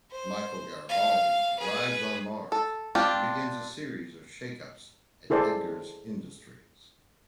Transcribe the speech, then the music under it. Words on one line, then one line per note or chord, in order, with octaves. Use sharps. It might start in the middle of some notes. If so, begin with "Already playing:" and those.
Michael Garibaldi arrives on Mars, and begins a series of shakeups at Edgars Industries.
C5
F5
G#4 B4
A4
C4 D4 F4 G4
E4 G#4 A4 C5 D5